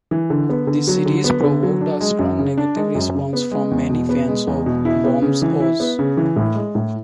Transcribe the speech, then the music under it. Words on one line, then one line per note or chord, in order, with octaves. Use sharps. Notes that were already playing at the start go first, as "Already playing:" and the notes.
The series provoked a strong negative response from many fans of Baum's Oz.
E3
D3
B3
D3
F#3
D3
B3
D3
F#3
D4
G#3
F#2
C#3
D4
G#3
F#2
C#3
B3
G#3
E2
B2
B3
G#3
E2
B2
E4
B3
C#3
E3
E4
B3
C#3
E3
A2
G#3
A2